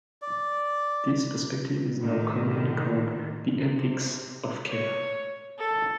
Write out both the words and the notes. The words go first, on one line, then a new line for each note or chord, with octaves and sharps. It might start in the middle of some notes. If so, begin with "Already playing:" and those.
This perspective is now commonly called the ethics of care.
D5
A2 D3 D#3
C3
C#5
A4